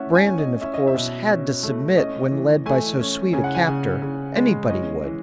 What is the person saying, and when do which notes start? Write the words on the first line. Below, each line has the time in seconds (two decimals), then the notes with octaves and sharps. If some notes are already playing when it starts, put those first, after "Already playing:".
Brandon, of course, had to submit when led by so sweet a captor--anybody would.
Already playing: A3 C#4 E5 F#5
0.15 G#5
0.27 C#4
0.39 D#5
0.61 C#4 E5
0.74 D#5
0.87 E5
0.95 B2
1.30 C#4
1.63 A3
1.97 C#4 D#5
2.31 E3
2.66 A3 G#5
2.99 C#4
3.33 C#3 G#5
3.44 F#5
3.55 G#5
3.67 C#3
4.02 C#3
4.36 G#3
4.70 C#4 D#5
5.04 E3